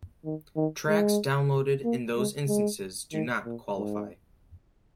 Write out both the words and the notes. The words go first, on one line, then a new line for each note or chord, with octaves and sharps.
Tracks downloaded in those instances do not qualify.
D#3
D#3
G#3
A#3
G#3
G#3
D#3
A#2
G#2